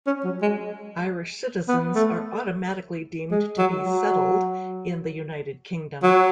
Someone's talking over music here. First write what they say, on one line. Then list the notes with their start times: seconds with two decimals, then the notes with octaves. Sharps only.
Irish citizens are automatically deemed to be "settled" in the United Kingdom.
0.07 C#4
0.25 F#3
0.42 G#3
1.68 B3
1.96 A3
3.31 G#3
3.58 F#3
3.86 F#3
6.03 F#3